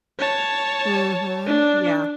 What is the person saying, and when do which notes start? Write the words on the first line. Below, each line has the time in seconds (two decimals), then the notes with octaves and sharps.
Mhm, yeah.
0.19 C#5 A5
1.46 D4